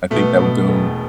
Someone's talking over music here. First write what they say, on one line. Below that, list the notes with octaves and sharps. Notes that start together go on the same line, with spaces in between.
I think that would go
B2 A3 B3
B2
E1